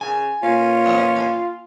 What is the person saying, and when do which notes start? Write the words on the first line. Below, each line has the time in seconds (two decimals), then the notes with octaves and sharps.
uh, um,
0.01 C#3 G#5
0.43 A#2 C#4 F4